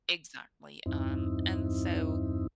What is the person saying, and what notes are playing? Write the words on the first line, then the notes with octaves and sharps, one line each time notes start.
exactly, um, and so,
E2 G2 C4 D#4 E4